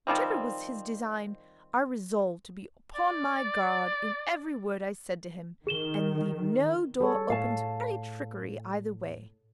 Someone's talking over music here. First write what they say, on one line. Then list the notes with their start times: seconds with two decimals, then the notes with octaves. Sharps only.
Whichever was his design, I resolved to be upon my guard in every word I said to him, and leave no door open to any trickery either way.
0.07 D#3 F3 G3 C4
2.95 D5
5.67 D#3 G#4 E7 G7
7.01 G3 G#4 A4 C#5
7.30 A2 F5 A5